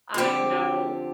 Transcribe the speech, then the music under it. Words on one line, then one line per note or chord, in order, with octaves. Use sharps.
I know.
F4
D3 F3 C4 G4